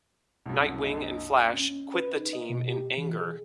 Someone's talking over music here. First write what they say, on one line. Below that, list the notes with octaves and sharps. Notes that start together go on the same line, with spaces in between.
Nightwing and Flash quit the team in anger.
C2 F#2
A#3 D4 D#5
C#4
B4
D#4
D#5
B2
G4
E3
G#4